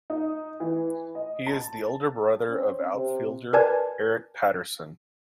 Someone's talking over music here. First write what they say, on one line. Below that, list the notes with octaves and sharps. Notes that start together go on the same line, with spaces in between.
He is the older brother of outfielder Eric Patterson.
D#4
E3
D#5
A5
C4 C#4
C3
A#4 B4 D5 G#5 A5 G#6